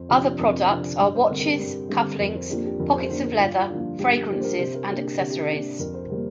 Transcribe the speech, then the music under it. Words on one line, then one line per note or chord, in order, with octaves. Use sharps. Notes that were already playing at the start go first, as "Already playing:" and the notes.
Other products are watches, cufflinks, pockets of leather, fragrances and accessories.
Already playing: F2 C5
C3 F3 D4
F2 A#4
C3 F3 D4
G2
C5
D3 G3 C4 A#4
A#4
G4
G2
D3 G3 C4
F2 A#4
C5
F3 A#3 D4 G4
G4
F2 A#4
C5
F3 A#3 D4 C5
A#4
G2 F4
F4
F3 A#3 D4
F4
G2 G4
A#4
F3 A#3 D4 G4
C5
A#4
C3 C5
A#4
A#3 D4 G4
G4
C3 A#4
G4
A#3 D4
F2 A#4
C5
C3 G3 A#3 A#4